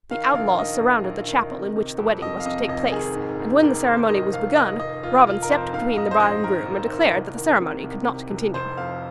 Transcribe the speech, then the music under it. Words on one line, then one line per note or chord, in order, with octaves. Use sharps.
The outlaws surrounded the chapel in which the wedding was to take place and when the ceremony was begun Robin stepped between the bride and groom and declared that the ceremony could not continue.
D#3 F5
A#1 F5
D#3 D#5
A#1
A#1
D#3
C3
C3
F2
F2 D#5
F5
C3 D#5
F1 D#5
D#3 G#4
G#2
G#2
G#1 A#4
G#1 C5
D#3 D#5
F1 F5
F1 D#5
F1 D#5
F1 F4
F1 F4
A#4
F2 C5
G#2 F5
G#2 D#5
C5
A#1 D#5
D#3 A#4
D#3
D#3
C2
D#3
C3
C2
C3
C2
F1 C5
F2 F5